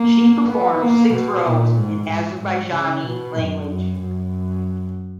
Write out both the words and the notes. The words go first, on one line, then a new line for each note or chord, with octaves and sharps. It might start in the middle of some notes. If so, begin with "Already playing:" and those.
She performed six roles in Azerbaijani language.
Already playing: A#3
B3
A#3
B2
A#2
G#2
G#2
G#2
C#3
B2
F#2
F#2
F#2